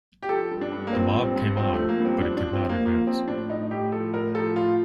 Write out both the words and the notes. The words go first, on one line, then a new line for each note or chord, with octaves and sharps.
The mob came on, but it could not advance.
G4
F3 A4
G2
D4
G2
A#3
F3 C4
G2
C4
G2
F3 C4
F3 A3
A#3
G2 C4
F3 D4
D4
F3
C4
F3 A#3
F3 A#3
F3 C4
A2 D4
A2 D#4
A2 G4
F3 A4
A2 A#4
F3 A4
A2 F4